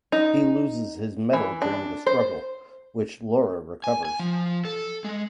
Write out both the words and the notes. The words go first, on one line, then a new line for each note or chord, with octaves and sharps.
He loses his medal during the struggle, which Laura recovers.
D#4
E3
D4
C5
G#5
G#5
F3
A4
G#3